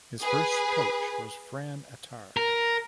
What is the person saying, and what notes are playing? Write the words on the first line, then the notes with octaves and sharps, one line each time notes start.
His first coach was Fran Attard.
G#4 B4
A#4